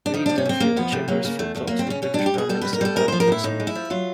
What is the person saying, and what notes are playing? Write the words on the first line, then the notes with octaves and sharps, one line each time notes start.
Rees then flew to Chequers for talks with British Prime Minister Harold Wilson.
D4
F3 D#4
C3 D4
C#4
F2 C4
F2 A#3
F3 B3
C3 A3
F#3 A#3
C#3 A#3
E2 A3
E2 A3
F#3 A#3
C4
C#3 C#4
B2 C#4
G3 D4
G4
B2 G#4
G3 A4
B2 B4
A#4
G3 A4
G#3 A#4
F3 C5
A#4
A2 E4
A2 D#4
G#3
E4
F3
F#3 F4